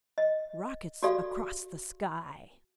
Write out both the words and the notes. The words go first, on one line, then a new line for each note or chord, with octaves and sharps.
Rockets across the sky!
D#5
F#4 G4 A4 D5 F5